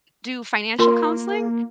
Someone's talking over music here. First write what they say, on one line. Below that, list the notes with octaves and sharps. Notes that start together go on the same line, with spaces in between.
do financial counseling,
A#3 F4 A#4 C6